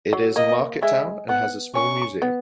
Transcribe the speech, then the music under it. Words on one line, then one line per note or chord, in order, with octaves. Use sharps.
It is a market town and has a small museum.
F#3
A#3 D#5
G#3 E5
B3 F#5
C#4 C#6
B3